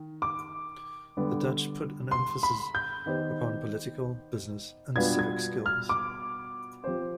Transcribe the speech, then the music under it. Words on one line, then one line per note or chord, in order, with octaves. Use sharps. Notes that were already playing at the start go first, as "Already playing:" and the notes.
The Dutch put an emphasis upon political, business, and civic skills.
Already playing: D#3
D6
D3 G3 B3
C6
B5
G6
D#3 B3 D#4 G4 C5
B2 G3 B3 D4 F4 G#6
G#6
F6
D6
F3 C4 G4 C5